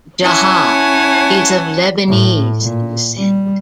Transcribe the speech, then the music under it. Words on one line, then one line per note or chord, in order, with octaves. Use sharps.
Jaha is of Lebanese descent.
C#4 E4 C#5 F#5 G#5 A5
A2
A#2
G3